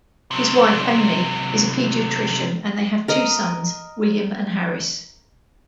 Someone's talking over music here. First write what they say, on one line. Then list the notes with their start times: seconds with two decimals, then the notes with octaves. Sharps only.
His wife, Amy, is a pediatrician and they have two sons, William and Harris.
0.31 C3 F#3
3.08 A#4 D#5